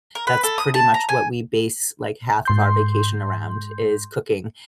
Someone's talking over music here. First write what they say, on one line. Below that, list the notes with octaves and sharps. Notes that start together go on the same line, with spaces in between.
that's pretty much what we base, like, half of our vacation around is cooking.
A#4
B4
A4
D#6
A5
A#5
G#5
G#2 C6 G6